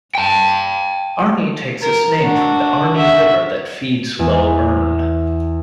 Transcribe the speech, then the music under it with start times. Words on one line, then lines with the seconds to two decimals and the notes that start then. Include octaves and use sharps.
Arney takes its name from the Arney River that feeds Lough Erne.
0.15 G5 A5
1.82 A#4
2.21 D4 F#4
2.96 F#4 E5
4.19 E2